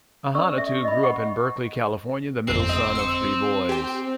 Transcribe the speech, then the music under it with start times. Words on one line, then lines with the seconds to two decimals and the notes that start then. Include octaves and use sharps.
Ahanotu grew up in Berkeley, California, the middle son of three boys.
0.35 C#4 A4 D5 C#6 E6
0.58 E5
0.85 D#5 B5
1.03 F#5 C#6
2.47 G1 F2 C4 C7
2.69 D#5 D#6
2.95 E6 C#7
3.69 G4 G5